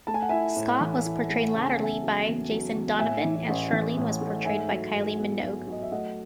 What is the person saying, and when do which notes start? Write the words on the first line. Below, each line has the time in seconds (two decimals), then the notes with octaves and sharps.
Scott was portrayed latterly by Jason Donovan, and Charlene was portrayed by Kylie Minogue.
0.07 A3 A5
0.14 G#5
0.22 F#5
0.29 E4 E5 G#5
0.56 A2
0.81 E3
1.04 E4
1.30 A3
1.54 C#3 A5
1.64 G#5
1.73 F#5
1.78 E2 E5 G#5
2.03 F#3
2.27 E2
2.51 F#3
2.75 E2
2.99 A2 E5 G#5
3.25 E3
3.48 A1
3.73 E3
3.97 A2
4.21 A3
4.45 G#2 E5 G#5
4.70 F#3
4.94 G#2
5.18 B3
5.43 F#3
5.68 F#3 D#5
5.82 E5
5.92 A3 D#5 F#5